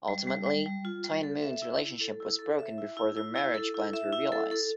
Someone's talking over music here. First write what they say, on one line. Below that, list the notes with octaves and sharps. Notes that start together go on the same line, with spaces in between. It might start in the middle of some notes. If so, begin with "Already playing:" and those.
Ultimately, Toy and Moon's relationship was broken before their marriage plans were realized.
G3
G3
G3
G3
F4
G3
A4
E5
E4
E4
A4
E4
A4
E5
E4
E4
E4
E4
A4
E4
E5
E4
A4
A4